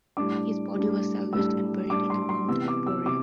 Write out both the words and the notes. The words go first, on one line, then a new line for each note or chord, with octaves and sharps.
His body was salvaged and buried in a mound at Borre.
A2 G3 D4 D6
A2 G3 D4
A2 G3 D4 E6
A2 G3 D4 D6
C6
C6
C3 E3 B3 E6
D6
E6
C3 D6